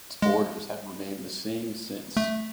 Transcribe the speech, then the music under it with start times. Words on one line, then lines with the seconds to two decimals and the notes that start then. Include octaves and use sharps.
Its borders have remained the same since.
0.22 G#3
2.17 A3